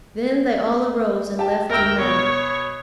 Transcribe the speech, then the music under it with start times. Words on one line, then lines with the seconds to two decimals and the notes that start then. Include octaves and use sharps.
Then they all arose and left the marah.
1.39 G4 A5
1.69 D2 A#4 E5 G5 E6
1.99 B2 C#5